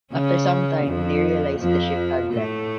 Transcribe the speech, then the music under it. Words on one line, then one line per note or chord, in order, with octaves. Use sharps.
After some time they realized the ship had left.
C#3 C#4
F2 F3
F2 F3
A2 A3